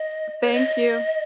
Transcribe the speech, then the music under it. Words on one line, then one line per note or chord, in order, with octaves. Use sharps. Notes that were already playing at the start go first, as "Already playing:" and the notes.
Thank you.
Already playing: D#5
C#5
D#5